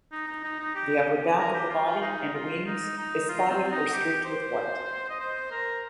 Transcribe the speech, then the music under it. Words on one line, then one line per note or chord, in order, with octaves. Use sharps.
The upper back of the body and wings is spotted or streaked with white.
D#4
D#4
D#4
D#4
G4
A#4
G4
F4
F4
D#4
F4
D#4
D#4
F4
C4
D#4
G4
C5
D#5
C5
A#4